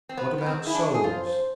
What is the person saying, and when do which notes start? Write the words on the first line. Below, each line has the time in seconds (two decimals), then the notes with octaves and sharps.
"What about souls?"
0.09 C4
0.17 B3 C5
0.38 B3 B4
0.46 C4
0.61 G#4
0.67 E4
0.75 D4
0.82 A4
0.94 G#4
1.04 F4 C5
1.26 C5